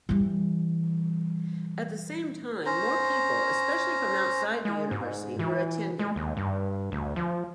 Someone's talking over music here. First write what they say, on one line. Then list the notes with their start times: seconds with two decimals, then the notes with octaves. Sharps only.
At the same time more people, especially from outside the university, were attending.
0.09 E3 G3
2.66 C#4 C5 A#5
4.65 G#3
4.91 G#2
5.39 E3
5.99 G#3
6.16 D#2
6.37 G2
6.92 D2
7.16 F3